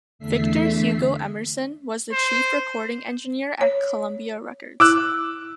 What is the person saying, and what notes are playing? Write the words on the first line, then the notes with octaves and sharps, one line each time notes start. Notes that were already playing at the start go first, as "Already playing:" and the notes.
Victor Hugo Emerson was the chief recording engineer at Columbia Records.
E2 D3 A3 E5 B6 C7
C5
C#5
E4 D6 E6 F#6